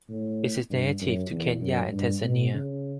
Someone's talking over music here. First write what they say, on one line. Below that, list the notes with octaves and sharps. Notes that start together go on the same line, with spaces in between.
It is native to Kenya and Tanzania.
A2
G2
F#2
E2
F#2
G2
B2
C#3